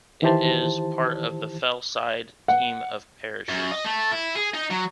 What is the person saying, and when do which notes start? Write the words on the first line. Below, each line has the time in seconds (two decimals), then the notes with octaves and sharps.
It is part of the Fellside Team of parishes.
0.22 D#3 E3 E4 G4 C5 A5
2.48 F#5
3.49 F#2
3.71 D#5
3.85 A3
4.12 E4
4.36 G#4
4.54 D#4
4.71 F#3